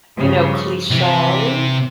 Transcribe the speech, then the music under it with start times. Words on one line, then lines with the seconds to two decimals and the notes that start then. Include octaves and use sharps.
you know, cliche,
0.18 G2 C#3 F3
0.91 C3 E3